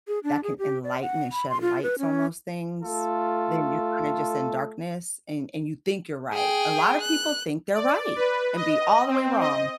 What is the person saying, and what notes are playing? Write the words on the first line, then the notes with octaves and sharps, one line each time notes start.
that can enlighten and shed lights on those things, then you're kinda just in darkness, and and you think you're right a lotta people think they're right, and be all the way wrong.
G#4
D4
G#4
G4
D5
F#5
B5
C6
F4
B4
C#4
A3 F4 A4
G#4 G5
F#6
D5
B4
D#5
C4
D#5